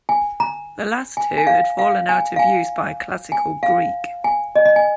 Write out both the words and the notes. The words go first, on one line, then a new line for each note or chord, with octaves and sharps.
The last two had fallen out of use by Classical Greek.
G#5
A#5
G#5
G#5
F5
F5
G#5
F5
G#5
G#5
F5
G#5
D#5
D#5
G#5